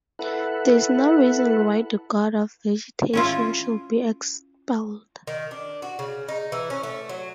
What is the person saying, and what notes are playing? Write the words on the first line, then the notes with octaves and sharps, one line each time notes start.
There is no reason why the god of vegetation should be expelled.
E4 A4 B4 F#5
C#4 E4 F4
D#3
D4
F#4
C#3
D#4
E3
C#4
A3
F#3